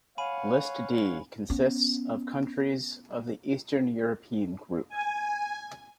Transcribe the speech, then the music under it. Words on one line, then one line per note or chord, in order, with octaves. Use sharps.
List D consists of countries of the Eastern European Group.
C#5 F5 F#5 G#5 B5 D#7
B3 C#4
G#5